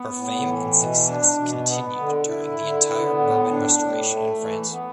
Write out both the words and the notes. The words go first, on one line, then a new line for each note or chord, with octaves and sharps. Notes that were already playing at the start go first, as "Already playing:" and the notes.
Her fame and success continued during the entire Bourbon Restoration in France.
Already playing: B3
A2
E3
B2
D4
B2
B3
D3
E4
D3
B3
A2
D4
A2
A3
E3
B3